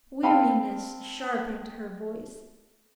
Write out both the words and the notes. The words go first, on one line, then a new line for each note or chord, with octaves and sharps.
Weariness sharpened her voice.
C4 F5 G5 A5 B5